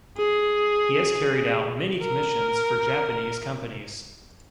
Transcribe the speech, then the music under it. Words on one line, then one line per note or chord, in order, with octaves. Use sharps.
He has carried out many commissions for Japanese companies.
G#4
A#4